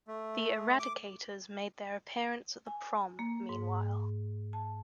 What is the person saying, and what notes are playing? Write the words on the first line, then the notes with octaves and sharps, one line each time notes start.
The Eradicators make their appearance at the prom, meanwhile.
A3
D6
G#5
A#3
G#2
A5